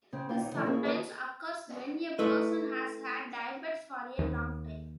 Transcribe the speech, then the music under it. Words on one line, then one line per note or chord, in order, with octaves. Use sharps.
This sometimes occurs when a person has had diabetes for a long time.
C#3 C4
A#3 B3 D4 F4 G5
D#2 C3 D#4
D3 E3 F3 A3 D4 E4
A#3 C#4 E4 G#4 A#4 C#5
D#3 A#3 C4 B4 C#5 D#5
A3 E4 B4 D#5
D#2